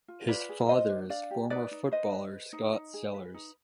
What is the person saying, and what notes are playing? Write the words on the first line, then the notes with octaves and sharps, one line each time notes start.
His father is former footballer Scott Sellars.
F4
F4 B4 D5
G#4
B4 C5 D#5
D4
D4 D5 F5
G4
D#4 B4 D5
D#4
B4 C5 D#5
B4
B4
D#4
D#4
G#4
B4
D#4